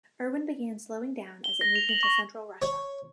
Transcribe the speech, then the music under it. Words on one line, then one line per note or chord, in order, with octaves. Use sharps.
Erwin began slowing down as it moved into Central Russia.
G7
A#6
F7
F#7
C#6
C#5